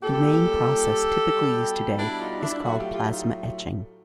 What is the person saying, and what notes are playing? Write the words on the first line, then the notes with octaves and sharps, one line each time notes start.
The main process typically used today is called plasma etching.
A#2 G3 G4 A4
B2 G3
D4 E4
D#4 F4
D4 E4
A2 F#3 A3 E4 F#4
F4 G4
F4 G4
D#4 F4